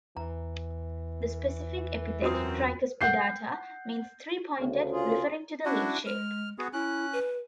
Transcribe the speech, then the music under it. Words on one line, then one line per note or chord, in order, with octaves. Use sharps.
The specific epithet "tricuspidata" means three-pointed, referring to the leaf shape.
E2 E3 A#5
F#2 C4 F4 F#4 D#6
F#5 G6 C7
D2 C#3
F4 G#4
C#4 D4 E4 F#4
G#3 F6
B3 F#4 G#4
C#4 E4 F#6
B4